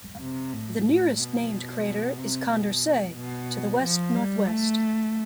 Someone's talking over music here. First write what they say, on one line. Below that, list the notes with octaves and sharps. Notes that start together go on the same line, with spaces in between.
The nearest named crater is Condorcet to the west-northwest.
C3
A2
A2
B2
C3
B2
B2
F3
G3
A3